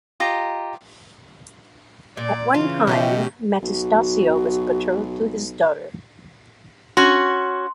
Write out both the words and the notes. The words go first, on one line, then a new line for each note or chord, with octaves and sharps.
At one time, Metastasio was betrothed to his daughter.
F4 G4 D#5 A#5
A#2 D5
C#3 E3 F4
B2 C#4 F#4 G4 D#5 E5 G5
B1 F#4
C#4 F#4 C6